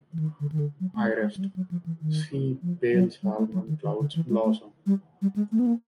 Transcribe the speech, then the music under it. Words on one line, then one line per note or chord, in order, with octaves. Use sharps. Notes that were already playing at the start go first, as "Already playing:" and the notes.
I rest: see pale salmon clouds blossom.
E3
D#3
D3
D#3
D3
F#3
A3
G#3
G#3
F#3
G3
F#3
F3
E3
D#3
F3
F#3
G3
A3
F#3
D#3
D#3
D3
E3
G#3
A3
G3
G3
G#3
A3
B3
A#3